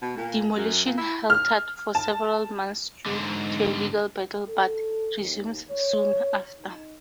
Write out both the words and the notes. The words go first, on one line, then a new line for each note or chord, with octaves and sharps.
Demolition halted for several months due to a legal battle, but resumed soon after.
B2
A#2
F#2
A#2
E4
F6
A5
G#2 D3
A4
D#2
C#5
D#4